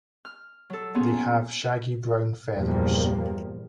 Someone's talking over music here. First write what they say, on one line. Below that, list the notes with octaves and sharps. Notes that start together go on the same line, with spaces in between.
They have shaggy brown feathers.
F6
F#3 A4
A#3 B3 C#4 F4 F#4 G#4
E2 G2 A#2 F3 G3 A#3